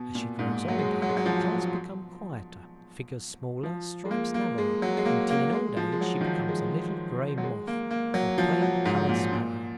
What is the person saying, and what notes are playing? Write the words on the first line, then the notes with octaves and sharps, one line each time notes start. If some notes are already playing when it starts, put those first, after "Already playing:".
As she grows older, colors become quieter, figures smaller, stripes narrower, until in old age she becomes a little gray moth or plain-colored sparrow.
Already playing: B2
A#2
G#2
A#2
F#3
G#3
F#3
G#3
F#3
F3
F3
G#3
A#3
A#3
G#3
F#3
G#3
A#3
A#3
G#3
F3
G#3
F#3
D#3
F3
G#3
F#3
G#3
A#3
A#3
F#3
F3
F#3
G#2
A#2
A#2